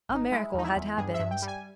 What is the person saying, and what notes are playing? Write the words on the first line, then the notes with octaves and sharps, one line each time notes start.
A miracle had happened.
G#1
D#4
G#3 E4
E2 D#4
E4
E2
G2 G#4
E5
G2
G5
G3
G#5